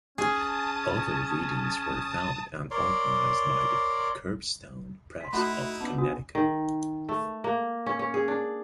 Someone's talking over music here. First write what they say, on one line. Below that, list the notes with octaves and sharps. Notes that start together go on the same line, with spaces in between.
Other readings were funded and organized by The Curbstone Press of Connecticut.
C#4 G#4 A5 D#6
A#4 C#5 D5 C6
G#5 C6 B6
A3 D#4 E4 F#4 F#5 B5 F#6
B3 D4 A5 D6
F#4 G#5 D#6
D#3
A3
A#3
C#4
C#4
G#4
D4